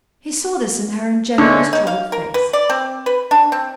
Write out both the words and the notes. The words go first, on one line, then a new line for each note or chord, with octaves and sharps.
He saw this in her ingenuous troubled face.
D3 G#3 A3 C#5
D#4
F5
A#4
B4
D5
C4
B4
D4
C4